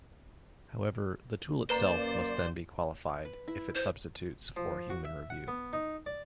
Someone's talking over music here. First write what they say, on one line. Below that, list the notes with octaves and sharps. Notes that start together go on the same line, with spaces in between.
However, the tool itself must then be qualified if it substitutes for human review.
F#2 A#3 B4 C5 D5 A#5
B4
E4
E4 C5
F3
F#4
E5
F#5
B3
D#4
D5